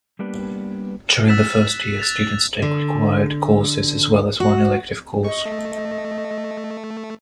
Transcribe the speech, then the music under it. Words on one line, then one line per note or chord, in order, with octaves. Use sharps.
During the first year, students take required courses as well as one elective course.
G3 A#3 B3 D4 G4 B4
E6 F#6 A6 B6 E7
F#6 A6 B6 F7
D3
F#4
D#5 C#6
A3